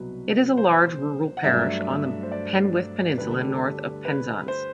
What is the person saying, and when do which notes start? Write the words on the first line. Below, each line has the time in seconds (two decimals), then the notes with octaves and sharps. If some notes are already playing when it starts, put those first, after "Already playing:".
It is a large rural parish on the Penwith peninsula north of Penzance.
Already playing: C2 B2 F#3 B4
0.58 C5
1.37 F#5
1.44 G2 F#3 A3 D4 E5
2.23 C5
2.32 D5
3.18 D2 D3 G3 D4 B4
3.30 A4
3.42 G4
3.54 A4
4.05 B4
4.48 C5